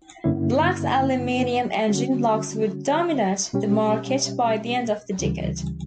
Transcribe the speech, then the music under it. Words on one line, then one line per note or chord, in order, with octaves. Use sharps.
Black's aluminum engine blocks would dominate the market by the end of the decade.
G2 D3 A#3 C#4 E4
D3 G3 C#4 F#4
B2 G3 C#4 G4
D2 C#3 E3 G3